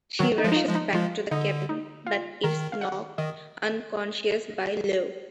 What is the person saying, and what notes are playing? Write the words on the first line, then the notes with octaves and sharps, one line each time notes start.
She rushes back to the cabin but is knocked unconscious by Lou.
D#3 F#3 F#4
D#4
F3 G#3
D#4
F4
F3 G#3
D#4
F3 G#3 F4
D3 D#4
D#4
F4
D#3 A#4
F5
F#5
D#3 D#5